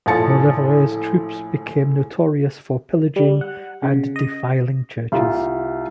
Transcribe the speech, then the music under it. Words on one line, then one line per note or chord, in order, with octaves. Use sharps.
Mauleverer's troops became notorious for pillaging and defiling churches.
A#1 A2 F4 A5 A6 C#7
G3
F#5
C#3
D#5
C2 F4 G4